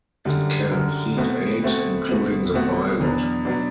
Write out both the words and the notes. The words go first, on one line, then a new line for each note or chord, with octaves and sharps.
It can seat eight, including the pilot.
F#2 D3 G3
F#2 D3 G3
B2 A3 C4 F#4
B2 A3 C4 F#4
B2 A3 C4 F#4
B2 A3 C4 F#4
E2 B2 F#3 B3 D4
B2 F#3 B3 D4